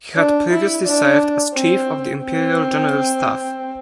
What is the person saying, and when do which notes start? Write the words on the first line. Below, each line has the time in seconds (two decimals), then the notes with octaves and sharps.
He had previously served as Chief of the Imperial General Staff.
0.16 D4
0.50 E4
0.85 D4
1.55 C4
2.25 C4